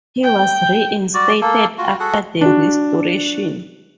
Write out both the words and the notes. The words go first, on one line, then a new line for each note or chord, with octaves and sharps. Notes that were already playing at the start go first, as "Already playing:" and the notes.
He was reinstated after the restoration.
G5
G3 F#4 D5
A#3 A4
F4 F#4
F#4 G#4 A4 F#5
D4 F#4